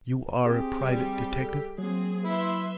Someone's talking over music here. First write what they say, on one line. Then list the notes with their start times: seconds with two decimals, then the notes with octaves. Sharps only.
"You are a private detective?"
0.46 C4 G4 G#4
0.79 G3
1.37 A4
1.78 F#3 A#3 C4 G#4
2.25 E4 B4 E5 C6